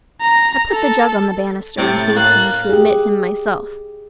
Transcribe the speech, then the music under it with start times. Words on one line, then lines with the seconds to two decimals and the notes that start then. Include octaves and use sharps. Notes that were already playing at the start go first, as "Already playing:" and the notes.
I put the jug on the banister and hastened to admit him myself.
0.21 A#5
0.71 A4
1.78 A2 C3 A6
2.16 A#3 F#6
2.69 G4 G#4